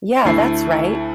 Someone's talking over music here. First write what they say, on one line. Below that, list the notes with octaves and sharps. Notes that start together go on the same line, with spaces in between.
Yeah, that's right!.
D2 A3 E4 C7